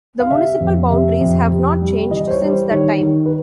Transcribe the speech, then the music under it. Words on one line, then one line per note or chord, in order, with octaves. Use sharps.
The municipal boundaries have not changed since that time.
F5
C3 E5
F2
C3 E5
F2
C3
G3
E3 D#5
C5
C#5
G3
C5
D#3 C#5
D#3
B4